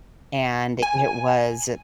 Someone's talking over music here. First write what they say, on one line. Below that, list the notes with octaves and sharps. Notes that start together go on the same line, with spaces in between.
and it was
G#5